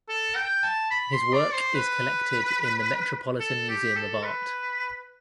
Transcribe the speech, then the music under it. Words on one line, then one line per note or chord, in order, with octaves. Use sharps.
His work is collected in the Metropolitan Museum of Art.
A4
G5
A5
B5
C6
D5
C5
B4
A4
G4
A4
B4